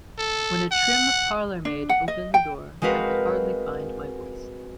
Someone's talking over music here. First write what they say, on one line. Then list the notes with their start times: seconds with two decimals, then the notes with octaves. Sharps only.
When a trim parlour-maid opened the door, I could hardly find my voice.
0.18 A4
0.72 F#5
1.65 D4
1.89 F#5
2.08 D#5
2.34 G5
2.82 G#3 C4 F#4 A#4 B4 F5